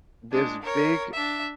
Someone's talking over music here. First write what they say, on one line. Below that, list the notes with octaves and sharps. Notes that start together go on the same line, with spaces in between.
this big
G#3 D4
A#4 C#5
D4 E5